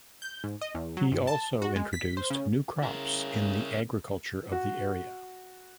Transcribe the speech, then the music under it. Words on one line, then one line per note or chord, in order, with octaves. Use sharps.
He also introduced new crops in the agriculture of the area.
G6
G#2
D#5
E2
F#3
G1
A5
F#4
G#3
B6
C5
C#3
C#3 E4 A#4
F#4